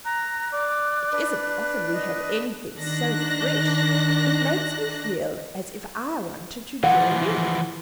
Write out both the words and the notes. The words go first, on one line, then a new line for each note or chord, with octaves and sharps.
It isn't often we have anything so fresh; it makes me feel as if I wanted to join in.
A#5 F#6
D5
D4 B4
D#5
D#3 D4 F#6 A#6
E3 F3 F#5